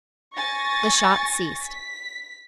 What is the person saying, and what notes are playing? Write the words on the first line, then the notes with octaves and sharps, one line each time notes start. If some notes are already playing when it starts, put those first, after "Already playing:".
The shots ceased.
G#5 C#6 A6 A#6
B6